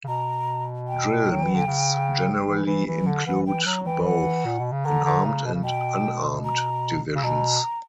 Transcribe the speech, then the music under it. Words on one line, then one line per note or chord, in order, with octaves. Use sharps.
Drill meets generally include both an armed and unarmed divisions.
C#3
B2 A#5
G5
F#3
E3
D3
C#3
E3
E3
E3
D3
E3 F#5
E3 G5
F#3 A#5
E3 G5
F#5
A#2
B2
C#3
D3 A#5
D3
C#3
B2
C#3
B2 G5
A#5
C#3
B2 A#5